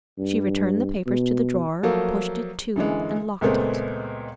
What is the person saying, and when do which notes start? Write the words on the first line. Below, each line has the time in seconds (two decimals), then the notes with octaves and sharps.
She returned the papers to the drawer, pushed it to and locked it.
0.18 G2
1.07 B2
1.83 F3 F#3 A3 A#3
2.76 F#2 D3 E3 G#3
3.41 C#2 A#2 G#3 A3 B3 C4